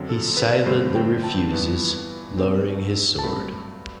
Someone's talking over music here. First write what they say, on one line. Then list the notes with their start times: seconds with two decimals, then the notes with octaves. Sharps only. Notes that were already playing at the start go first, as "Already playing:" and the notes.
He silently refuses, lowering his sword.
Already playing: F#2 D3 F#3 C4
0.09 A4
0.37 B4
0.66 G2 D3 A3 C4 C5
0.95 G5
1.24 A5
1.51 G2 E3 B3
2.38 B2 F#3 C4
3.19 A5
3.23 G2 F#3 A3 C4 B5